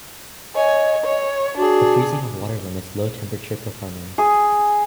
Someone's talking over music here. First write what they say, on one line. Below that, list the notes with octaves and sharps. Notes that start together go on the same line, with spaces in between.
The freezing of water limits low temperature performance.
C#5 D#5 G#5
C#5
D4 F#4 G#4
G#4